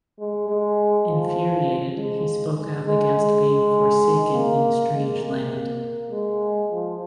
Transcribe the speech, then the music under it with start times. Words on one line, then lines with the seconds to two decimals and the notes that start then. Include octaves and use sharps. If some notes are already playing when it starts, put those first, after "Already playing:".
Infuriated, he spoke out against being "forsaken" in a "strange land".
0.19 G#3
0.49 G#3
1.08 F3
1.96 G#3
2.86 G#3
3.16 G#3
4.33 A#3
4.93 G#3
5.22 A#3
6.10 G#3
6.71 F3